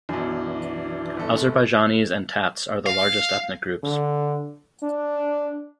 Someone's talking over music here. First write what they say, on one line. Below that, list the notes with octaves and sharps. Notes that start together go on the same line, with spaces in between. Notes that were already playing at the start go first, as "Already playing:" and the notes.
Azerbaijanis and Tats are the largest ethnic groups.
B1 F#2 E3 D4
G1 A4
F5
D3
D4